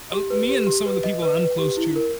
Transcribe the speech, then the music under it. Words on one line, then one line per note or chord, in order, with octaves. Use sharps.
uh me and some of the people I'm close to
G4
B4
G4
G4
B4
D#5
B4
B4
G4
E4
A#4